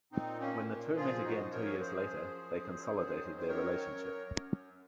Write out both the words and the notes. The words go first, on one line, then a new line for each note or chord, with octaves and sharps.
When the two met again two years later, they consolidated their relationship.
A#2 C4 D#4
A#3 C#4
A#2
A#3
F3 F4 G#4
D#4 F#4
F#2
A#4 C#5
F3 G#4 C5
F#2
F#3
D#3
C5
F#2 A#4 C#5
F#2
F#2